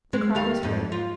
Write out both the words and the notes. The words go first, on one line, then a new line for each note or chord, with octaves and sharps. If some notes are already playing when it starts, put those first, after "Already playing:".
The cry was heard.
G#3
D#2 G3 F5
F2 G#2
F4